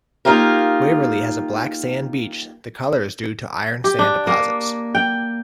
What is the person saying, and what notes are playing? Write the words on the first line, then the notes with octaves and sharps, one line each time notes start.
Waverley has a black sand beach, the colour is due to iron sand deposits.
A#3 D#4 F4 G4 A#4
G4
D4
A#3
G5